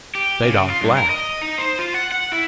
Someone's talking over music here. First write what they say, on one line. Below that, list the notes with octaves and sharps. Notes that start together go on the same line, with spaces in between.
Zadok laughed.
G4
C#3
F4
G2
A#4
D#5
D#4
C5
F4
F#5
F#5
E4